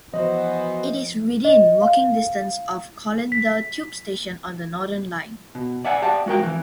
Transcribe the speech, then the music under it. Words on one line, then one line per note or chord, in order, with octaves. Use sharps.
It is within walking distance of Colindale tube station on the Northern line.
E3 F3 B3 F#4 C5 D#5 F#5
D#5
F5
B6
B2
D5 E5 F#5 G#5
G4 D5 F#5 A5
G#3 F#4 A#4 G5
F2 E3